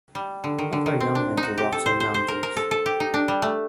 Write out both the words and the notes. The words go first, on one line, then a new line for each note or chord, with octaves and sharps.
What are young men to rocks and mountains?
G3
D3
D#3
D3
D#3
C4
D4
D#4
F#4
G4
A4
C5
C5
C5
A#4
A#4
A4
A4
G4
D#4
D4
G3
A3